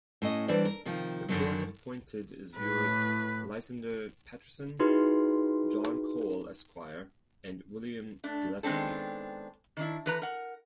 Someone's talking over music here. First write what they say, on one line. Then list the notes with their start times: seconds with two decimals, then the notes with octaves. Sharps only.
The court appointed as viewers Lysander Patterson, John Cole, Esquire, and William Gillespie.
0.22 A2 C#4 D#5
0.48 E3 G3 D4 C5 D5
0.65 A#4
0.85 C3 D#3 F3
1.28 F#2 B2 D3 D#3 F#3
2.57 A2 B4
4.79 D#4 E4 F#4 G#4 B4 C6
8.24 A3 D4
8.63 D#3 G#3 B3 C4 D4 A4
9.77 D#3 D4 E4
10.06 E3 B4 A#5
10.22 A#4 F#5